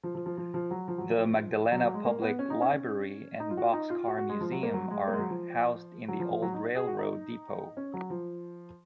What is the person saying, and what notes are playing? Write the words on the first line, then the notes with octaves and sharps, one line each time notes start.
The Magdalena Public Library and Boxcar Museum are housed in the old railroad depot.
F3
F3
F3
F3
F3
F#3
F3
F#3
F3
F#3
F#3
G#3
A#3
B3
C#4
D#4
C#4
C#4
D#4
F4
F#4
F4
D#4
F4
F#4
F#4
G#3
F3
F#3
A#3
F#3
G#3
A#3
G#3
F#3
F3
F#3
F3
F3
F#3
D#4
G#4
F#4
D#4
C#4
F#3
F3